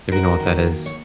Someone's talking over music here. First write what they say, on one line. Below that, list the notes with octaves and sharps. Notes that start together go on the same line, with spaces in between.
if you know what that is.
F#2 F#4 A#4
D#3
A#3
C#5